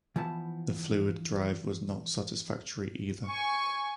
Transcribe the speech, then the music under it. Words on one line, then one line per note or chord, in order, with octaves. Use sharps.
The fluid drive was not satisfactory either.
E3 F3 B3 A5
G#5 C#6